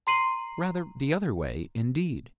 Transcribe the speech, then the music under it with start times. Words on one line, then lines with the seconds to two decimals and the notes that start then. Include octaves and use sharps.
Rather the other way, indeed.
0.07 A#5 C6 C7 D#7 F#7